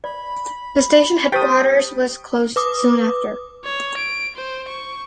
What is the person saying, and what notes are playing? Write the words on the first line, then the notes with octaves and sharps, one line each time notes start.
The Station Headquarters was closed soon after.
D5 B5
G4 C5 G5 A5 D#6 G6 A6 B6
B4 D6 D#6
C#5
D7
C5
C#6